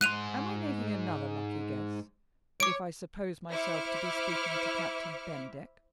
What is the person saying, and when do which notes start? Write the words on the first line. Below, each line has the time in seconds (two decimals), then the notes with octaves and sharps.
"Am I making another lucky guess if I suppose myself to be speaking to Captain Bennydeck?"
0.01 G#2 C6 F#6 D#7 F7
2.60 C#5 D6 D7
3.51 E4 C5 E5 D6 F6 C#7